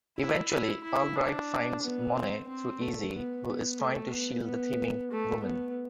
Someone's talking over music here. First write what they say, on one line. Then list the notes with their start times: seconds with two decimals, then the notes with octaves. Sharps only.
Eventually, Albright finds Monet through Easy, who is trying to shield the thieving woman.
0.18 E4
0.51 E4
0.84 E4
1.16 D4
1.82 B3
2.14 C4
2.48 C4
2.81 A3
3.14 B3
3.47 B3
3.79 A3
4.12 B3
4.44 B3
5.11 A3
5.43 B3